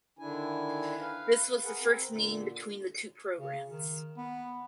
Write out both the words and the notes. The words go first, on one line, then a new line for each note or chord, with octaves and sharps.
This was the first meeting between the two programs.
D3 D#3 D4 E4 G#5
B4 F5
G#4 A#4 B4 F#5
C4 A#4
A#2 D3
C#3
D#3
B3